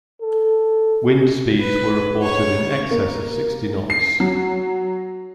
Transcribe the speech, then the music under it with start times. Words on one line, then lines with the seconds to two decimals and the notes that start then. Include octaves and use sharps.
Winds speeds were reported in excess of sixty knots.
0.21 A4
1.61 B4
2.23 C#5
2.91 A#3
3.90 C7
4.20 F#3